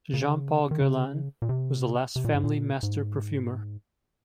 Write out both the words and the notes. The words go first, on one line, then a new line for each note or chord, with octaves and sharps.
Jean-Paul Guerlain was the last family master perfumer.
C#3
D#3
C#3
A#2
C3
C3
A#2
G#2
A#2
G#2